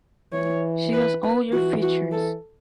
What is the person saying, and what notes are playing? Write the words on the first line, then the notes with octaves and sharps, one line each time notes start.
She has all your features.
E3 C#5
B4
B4
E3 F#4
F#4
A4